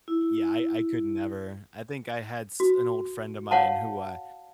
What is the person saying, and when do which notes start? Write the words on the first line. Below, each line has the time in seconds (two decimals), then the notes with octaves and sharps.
Yeah. I I could never. I think I had s an old friend of mine who, uh,
0.08 E4
2.60 F#4
3.51 C#5 F5 F#5 A5